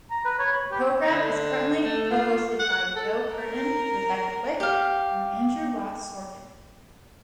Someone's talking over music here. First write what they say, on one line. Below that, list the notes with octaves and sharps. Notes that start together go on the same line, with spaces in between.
The program is currently co-hosted by Joe Kernen, Rebecca Quick, and Andrew Ross Sorkin.
A#5
B4
C#5
B5
G4
D3
A3
F4
F#5
A4
A#4
G4 F5